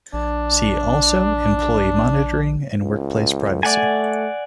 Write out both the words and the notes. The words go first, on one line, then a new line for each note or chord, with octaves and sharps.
"See also Employee monitoring and Workplace privacy".
A#1 D4
C#2
A3 D5 F#5 G#5